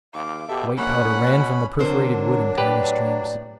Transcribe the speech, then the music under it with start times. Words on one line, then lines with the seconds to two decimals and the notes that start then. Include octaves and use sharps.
The white powder ran from the perforated wood in tiny streams.
0.14 D#2 F5 D6
0.48 B2 G4 A4 E5
0.77 A#1 A#3 C#4 F#5 B5
1.23 B2
1.79 D3 F#3 C4 D4 A#4 C5
2.58 A2 G4 B4 D5